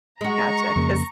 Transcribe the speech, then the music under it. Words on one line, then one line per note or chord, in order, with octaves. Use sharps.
Gotcha, 'cause
G#3 F#4 A#5 C#6
F2 C#3 A#3